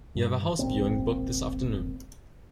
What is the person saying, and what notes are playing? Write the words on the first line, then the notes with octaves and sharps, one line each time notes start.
You have a house viewing booked this afternoon.
C2 G2
E1 A#1 A#2 C4